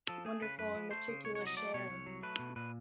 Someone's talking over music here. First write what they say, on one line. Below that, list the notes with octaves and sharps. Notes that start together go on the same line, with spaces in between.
Wonderful and meticulous sharing.
F3 A4
A3 G#4
C#3 B4
F#2 B4
F3
A3 C5
C#3
C2 C#5
C#5
F#3
D#5
A3 D5
B2 C#5
C2
F#3
A3 B4
B2
A#2 B4